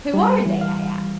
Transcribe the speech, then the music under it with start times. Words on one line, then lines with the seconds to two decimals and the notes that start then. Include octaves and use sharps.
"Who are they?" I asked.
0.14 G3
0.45 E3
0.61 F5